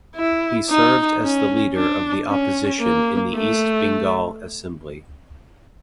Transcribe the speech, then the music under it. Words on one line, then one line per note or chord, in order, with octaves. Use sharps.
He served as the leader of the opposition in the East Bengal Assembly.
E4
D#4
C#4
D4
C#4
A#3
A3